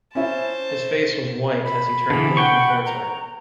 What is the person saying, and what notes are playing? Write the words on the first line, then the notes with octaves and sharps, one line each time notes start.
His face was white as he turned blinking towards her.
C#4 E4 C5 A5
B5
D3 E3 G#4
F#5 G5 C#6
A#5